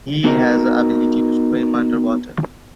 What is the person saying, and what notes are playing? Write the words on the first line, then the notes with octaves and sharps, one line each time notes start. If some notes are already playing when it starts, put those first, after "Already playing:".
He has the ability to swim underwater.
B3 D#4 F#4 A#4 D#5 A#5